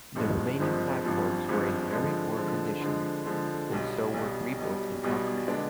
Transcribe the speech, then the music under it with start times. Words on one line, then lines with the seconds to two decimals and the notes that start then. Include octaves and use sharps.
The remaining platforms were in very poor condition and so were rebuilt in concrete.
0.15 G#1 G2 F3 G#3
0.60 G#1 G2 F3 G#3
1.04 G#1 G2 F3 G#3
1.49 G#1 G2 F3 G#3
1.92 D3 F3 G#3
2.36 D3 F3 G#3
2.81 D3 F3 G#3
3.26 D3 F3 G#3
3.70 B1 B2 G3
4.14 B1 B2 G3
4.59 B1 B2 G3
5.04 B1 B2 G3
5.48 D3 G#3 B3 D4